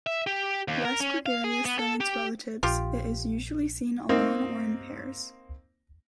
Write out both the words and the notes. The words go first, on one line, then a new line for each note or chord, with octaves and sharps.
Less gregarious than its relatives, it is usually seen alone or in pairs.
E5
G4
D#2
A#4
C#4
F5
G#4
B3
A4
G4
A#1 F4 G4
A#3 C4 D#4